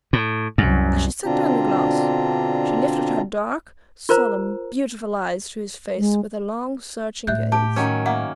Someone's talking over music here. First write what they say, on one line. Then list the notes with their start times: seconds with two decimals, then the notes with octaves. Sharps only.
As she set down the glass, she lifted her dark, solemn, beautiful eyes to his face with a long, searching gaze.
0.13 A2
0.58 C2 F#2 F#3
1.25 B2 D3 C4 D4 F4 A#5
4.09 F4 A#4 C5 A#5
5.97 G#3
7.27 A2 E5 F#6 G6
7.52 G4 A5
7.76 D#3 F#3 C#4
8.06 A#3 E5 F#5